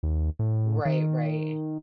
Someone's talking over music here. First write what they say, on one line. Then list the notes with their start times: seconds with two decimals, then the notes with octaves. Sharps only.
Right, right.
0.03 D#2
0.39 A2
0.85 D#3